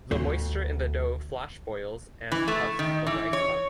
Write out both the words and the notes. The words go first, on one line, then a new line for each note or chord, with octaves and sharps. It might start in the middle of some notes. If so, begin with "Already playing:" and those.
The moisture in the dough flash boils and puffs the rice up.
D2
E3
A3
D#3
E3
C#5